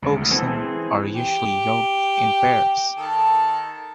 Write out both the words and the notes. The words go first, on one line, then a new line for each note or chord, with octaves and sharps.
Oxen are usually yoked in pairs.
C#2 C3
D2 A2
E3 B3 C4 A4
C4 G#4
G4
D#3 A4 A5